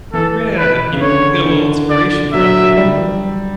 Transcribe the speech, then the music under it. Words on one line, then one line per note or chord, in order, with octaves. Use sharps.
Yeah. You you get a little inspiration from it, you know?
E3 A4
B4
C#3
D3 C#5
D3
D5
F#3 E5
G3